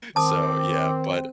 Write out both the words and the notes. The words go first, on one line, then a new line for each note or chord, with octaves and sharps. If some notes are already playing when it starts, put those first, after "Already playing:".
so, yeah, but
D#3 C4 A5 D6 D#6